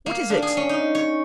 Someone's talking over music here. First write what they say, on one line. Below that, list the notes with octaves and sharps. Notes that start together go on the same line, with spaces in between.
What is it?
A#3
D4
G#4
C#4
D#4
C#5